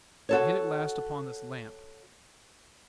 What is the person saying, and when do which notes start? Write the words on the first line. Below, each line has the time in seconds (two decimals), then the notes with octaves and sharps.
I hit at last upon this lamp.
0.29 F#4 A4 C#5